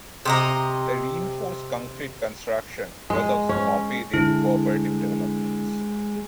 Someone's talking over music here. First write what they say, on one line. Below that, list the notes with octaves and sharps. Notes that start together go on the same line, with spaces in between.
The reinforced concrete construction was also copied in cooperative developments.
C3 D#5 A#5
G#3
C#4
D3 G#3 E4